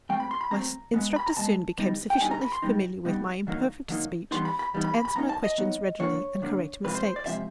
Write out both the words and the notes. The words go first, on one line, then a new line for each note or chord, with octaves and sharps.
My instructors soon became sufficiently familiar with my imperfect speech to answer my questions readily and correct mistakes.
F#3 A3 C4 G5
B5
C6
B5
F#3 A3 C4 A#5
B2 G#3 B3
B5
A#5
B2 G#3 B3 A5
D3 G3 B3 D#4
G5
D3 G3 B3 D#4 G#5
A#5
B5
C6
B2 G3 B3 D#4
B2 G3 B3 D#4
D3 F#3 A#3 D#4
D3 F#3 A#3 D#4
E3 G3 B3 D#4 C6
B5
B5
E3 G3 B3 D#4
B5
B5
B5
F#3 B3 D#4 A#5
A5
D#5
F#3 B3 D#4
D3 F#3 A#3 D4 C#5
D3 F#3 A#3 D4
C3 F3 G#3 C4 F4 B4
C5
C5
D5
C3 F3 G#3 C4 F4 E5